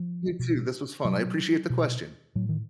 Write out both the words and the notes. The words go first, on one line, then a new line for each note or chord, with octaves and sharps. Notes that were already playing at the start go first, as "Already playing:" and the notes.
You too, this was fun. I appreciate the question.
Already playing: F3
B2
B2 F#3
B2
A2 F#3
D#3